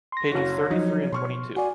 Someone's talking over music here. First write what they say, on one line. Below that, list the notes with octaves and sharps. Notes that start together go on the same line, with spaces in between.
Pages thirty-three and twenty-two.
C6 A#6
F#1 F#4 C#5
F3 F#3 D#4
B2 C6 C#6 F6
F#4 D5 G#5